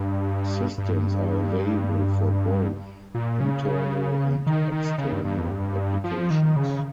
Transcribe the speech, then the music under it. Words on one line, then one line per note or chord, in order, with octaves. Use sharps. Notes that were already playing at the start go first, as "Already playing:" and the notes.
Systems are available for both internal and external applications.
Already playing: G2
G2
A#2
C#3
D#3
D#3
C#3
G2
G2
F2
G2
F3
D#3
C#3